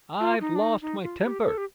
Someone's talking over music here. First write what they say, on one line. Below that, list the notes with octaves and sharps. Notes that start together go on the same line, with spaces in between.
I've lost my temper.
F4
D#4
D4
D#4
D#4
F4
G4
A4
G4